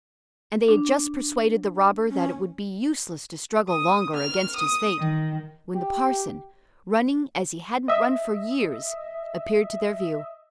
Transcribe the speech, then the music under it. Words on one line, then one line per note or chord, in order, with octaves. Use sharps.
And they had just persuaded the robber that it would be useless to struggle longer against his fate, when the parson, running as he hadn't run for years, appeared to their view.
D4
C#4
D#6
F6
D#6
D#3
G4
D#5 E5